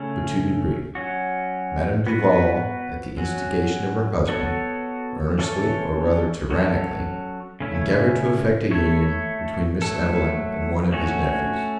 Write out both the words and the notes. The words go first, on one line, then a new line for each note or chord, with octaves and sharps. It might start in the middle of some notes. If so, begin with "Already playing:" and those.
But, to be brief-Madame Duval, at the instigation of her husband, earnestly, or rather tyrannically, endeavoured to effect a union between Miss Evelyn and one of his nephews.
Already playing: C#3 A3 C#4
F#3 C#4 F#4
B3 F#4 B4
F#3 C#4 F#4
B3 F#4 A4 C#5
E3 C#4 A4 C#5
F#3 C#4 A4 C#5
C#3 A3 C#4 E4
A3 E4 A4 C#5
F#3 A3 E4 A4
A3 C#4 F#4 C#5